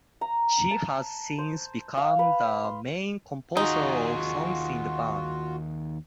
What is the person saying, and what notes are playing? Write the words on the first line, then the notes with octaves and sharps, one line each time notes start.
She has since become the main composer of songs in the band.
A#5
A5
C5
F5
B4
C6
D#2 D#4 F4 F#4 G#4